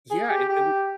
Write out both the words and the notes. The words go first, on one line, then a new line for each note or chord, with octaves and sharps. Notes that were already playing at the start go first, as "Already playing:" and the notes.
Yeah. It it was
G#4
G4
G4